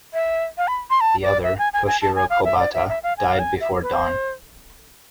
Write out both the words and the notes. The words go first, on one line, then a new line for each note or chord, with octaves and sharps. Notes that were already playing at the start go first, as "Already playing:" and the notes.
The other, Toshiro Kobata, died before dawn.
E5
F5
B5
C6
A5
D5
E5
G#5
G#5
G#5
A5
G#5
F5
E5
D5
E5
E5
F5
G#5
F5
G#5
E5
B4
C5